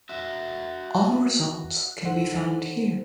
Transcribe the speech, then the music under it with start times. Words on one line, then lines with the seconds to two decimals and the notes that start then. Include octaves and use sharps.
All results can be found here.
0.09 F#4 E5
2.04 D#3 A4 C5 F#5